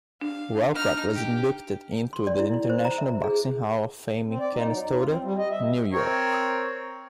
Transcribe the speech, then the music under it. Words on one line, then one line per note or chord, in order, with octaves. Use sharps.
Walcott was inducted into the International Boxing Hall of Fame in Canastota, New York.
D4 F5
D#4 F6
G4
C6
D5
E4
E4
C5
A#5
E5
G#4
C4
D5
D#4
F#3
F2
F4
C4
G3
D#5
E5
C4 A#4 C#5